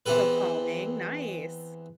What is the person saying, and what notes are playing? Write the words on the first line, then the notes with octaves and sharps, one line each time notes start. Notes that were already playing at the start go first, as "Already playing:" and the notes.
So calming, nice.
E2 E3 C4 G4 A4 B4